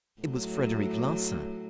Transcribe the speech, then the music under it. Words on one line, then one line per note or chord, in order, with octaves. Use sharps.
It was Frederic Larsan.
A2 F#3